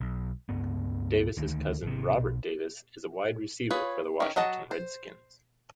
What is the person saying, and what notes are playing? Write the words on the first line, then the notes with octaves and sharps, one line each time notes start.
Davis' cousin, Robert Davis, is a wide receiver for the Washington Redskins.
B1
C#2 G2 B3
D2 D#3
G#1 C3
B1
F4 G#4 B4 C#5
D#3 C#4
F#3 D#5 F#5 A5
C5